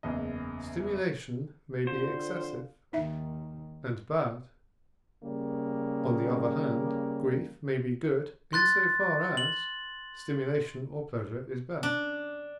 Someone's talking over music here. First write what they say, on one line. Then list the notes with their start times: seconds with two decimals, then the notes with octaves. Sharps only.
Stimulation may be excessive and bad; on the other hand, grief may be good, in so far as stimulation or pleasure is bad.
0.03 F#1 E2 C#3 D#5
1.87 D3 C4 F4 C5
2.93 D#2 D#3 D#4 E5
5.23 C#3 G3 A#3
8.53 C6 F#6 A6
9.37 F#7
11.83 D4